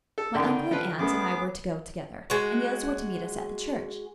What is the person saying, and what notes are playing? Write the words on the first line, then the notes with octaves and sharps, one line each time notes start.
My uncle and aunt and I were to go together; and the others were to meet us at the church.
A4
C#2 D3 D#3 G5
F3 F4 B4
F#2 A3 B3 G#4 D6
G#3 F#4